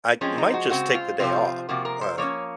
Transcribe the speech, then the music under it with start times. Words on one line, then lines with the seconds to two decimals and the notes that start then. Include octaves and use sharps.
I might just take the day off, uh
0.21 F3 G#3 C4 C#4
0.38 D#4
0.54 F#4
0.70 C#3 G#3 C4 F#4
0.94 F4
1.20 C3 F3 C4 F4
1.69 C3 F3 A#3 F#4
1.85 A#4
2.01 C5
2.18 F3 A#3 C#4 C#5